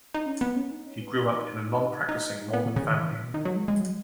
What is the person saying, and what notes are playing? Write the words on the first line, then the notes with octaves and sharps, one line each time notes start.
He grew up in a nonpracticing Mormon family.
D#4
C#4
B3
C#4
D#4
C#4
B3
D#4
D#4
B3
C#3
C#3
D#3
E3
A2
B2
D#3
F#3
G#3
G#3
F#3